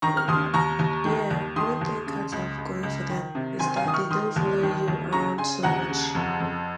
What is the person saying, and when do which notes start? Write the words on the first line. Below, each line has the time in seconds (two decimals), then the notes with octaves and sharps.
Yeah, one thing cats have going for them is that they don't follow you around so much.
0.02 D#3 A#5 C#6
0.17 F6
0.28 D#2 C6 D#6
0.54 D#2 A#5 C#6
0.79 D#2
1.05 D#3
1.30 D#2
1.56 D#3 C6 D#6
1.81 D#2
2.07 C#3
2.32 C#2
2.58 C#2
2.83 C#2
3.09 D#3
3.35 C3
3.59 D#3 G#5 C6
3.76 F5 G#5
3.85 D#3 D#6
3.94 C#6 F6
4.10 D#3 C6 D#6
4.36 D#2
4.62 D#3
4.88 D#2
5.12 C#3 A#5 C#6
5.38 C#3 G#5 C6
5.63 D#2 F#5 A#5
5.89 C#3
6.15 F2
6.40 F2